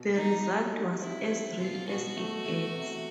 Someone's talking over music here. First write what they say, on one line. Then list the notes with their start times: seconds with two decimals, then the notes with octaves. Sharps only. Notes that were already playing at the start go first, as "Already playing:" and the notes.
The result was "As Real As It Gets".
Already playing: B2
0.15 G3 D#4
0.43 G3
0.73 D#4
1.01 C4 E4
1.30 C4
1.59 B2 F4
1.88 B2 F#4
2.17 A3
2.46 A3
2.75 C3